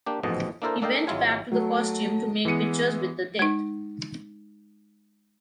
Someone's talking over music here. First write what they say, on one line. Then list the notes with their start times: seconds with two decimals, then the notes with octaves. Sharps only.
He went back to the costume to make pictures with the death.
0.06 A#3 D4 G4
0.23 A1 F2 G#2 B2 F3 D#5
0.62 A#3 D4 E4 A4 A#4 C5
0.82 A#3 D4 A4 D#5 F5 G5
1.07 G#1 F#3 G#3 E4 F4 G#5
1.52 F#3 A3
2.45 E3 G#3 B3 C#7 D#7
3.39 G#3 D#4